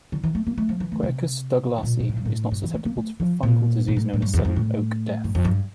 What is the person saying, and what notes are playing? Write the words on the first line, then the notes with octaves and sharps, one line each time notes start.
"Quercus douglasii" is not susceptible to the fungal disease known as sudden oak death.
D3
E3
A3
A#3
A3
F3
E3
A3
C3
C3
A#2
A#2
A2
G2
A2
G2
E3
A3
A#3
A3
F3
A#2
A#2
A2
A2
G2
E2
F2
A2
G2
F2
G2